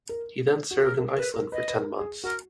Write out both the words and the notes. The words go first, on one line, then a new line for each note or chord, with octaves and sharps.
He then served in Iceland for ten months.
A#4
F#4
G#4 A#4
A#4
A#4 B4
A#4
B4 D#5
B4
A#4
G#4
F#4 A#4